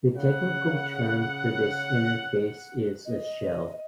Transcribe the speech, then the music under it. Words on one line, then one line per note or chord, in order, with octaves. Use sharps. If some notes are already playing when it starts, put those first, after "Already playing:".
The technical term for this interface is a "shell".
C#3 F#5
D#5